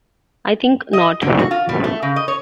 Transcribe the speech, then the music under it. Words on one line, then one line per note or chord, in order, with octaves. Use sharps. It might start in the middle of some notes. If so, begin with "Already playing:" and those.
I think not.
D#5
D3
F#4
F4
G3
A3
C#3
D#5
C#5